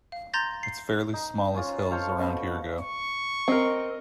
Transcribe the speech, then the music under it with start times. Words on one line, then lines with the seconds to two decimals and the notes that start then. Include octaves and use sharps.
It's fairly small as hills around here go.
0.12 F5
0.33 A#5 C6 G6 A6 A#6
0.63 C7
1.13 D#4
1.54 C#4 F4
1.91 A4 C5 C#5 F5
2.18 B2 B5
2.78 C#6
3.48 C4 A#4 D#5